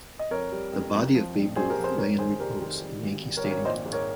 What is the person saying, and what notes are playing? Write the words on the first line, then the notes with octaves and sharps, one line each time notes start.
The body of Babe Ruth lay in repose in Yankee Stadium.
D#5
F2 A#4 C#5
G3
F2
F2
F3
A#1
A#1 G#4 C5
G4 A#4
F3
G#4 C5
F2 A#4 C#5
D#3 G#4 C5
F1 G4 A#4
D#3
G3
G#1
G3
A#4 C#5
G#1
A#4 C#5
A#1 C5 D#5
G#2
A#4 C#5